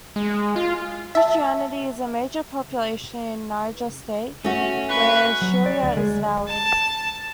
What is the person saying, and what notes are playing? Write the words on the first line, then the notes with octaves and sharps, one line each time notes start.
Christianity is a major population in Niger State, where Sharia is valid.
G#3
F4
E5 A5
A3 C#4 F#4
B4 C#6
F#3
D5
D2
G#3
A5